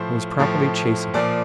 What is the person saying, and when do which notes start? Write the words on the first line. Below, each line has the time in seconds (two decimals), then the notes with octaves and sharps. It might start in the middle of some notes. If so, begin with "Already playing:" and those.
I was properly chastened.
Already playing: A2 F3 C5
0.39 A2 F3
1.14 A#2 F3 D5